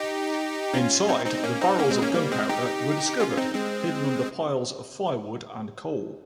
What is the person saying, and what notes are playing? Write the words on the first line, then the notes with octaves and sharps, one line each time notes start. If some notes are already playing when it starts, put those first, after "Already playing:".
Inside, the barrels of gunpowder were discovered hidden under piles of firewood and coal.
Already playing: D#4 G4
C#4 F4
C4 D#4
C4 D#4
A#3 C#4
C4 D#4
A#3 C#4
G#3 C4
A#3 C#4
G3 A#3
G#3 C4
D#4 G4
C#4 F4
C4 D#4
G#3 C4